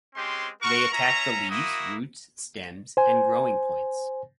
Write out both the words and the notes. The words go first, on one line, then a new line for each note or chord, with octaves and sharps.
They attack the leaves, roots, stems, and growing points.
G#3 C4 C#4 G4 C5 C6
F#4 A#4 C#6
C#4 C#5 E5 A#5
A#3 E4 F#4 D#6
C5 G#5